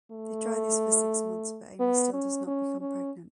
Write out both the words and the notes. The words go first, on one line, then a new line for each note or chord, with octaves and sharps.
They try this for six months but Amy still does not become pregnant.
A3
B3
C#4
C#4
C#4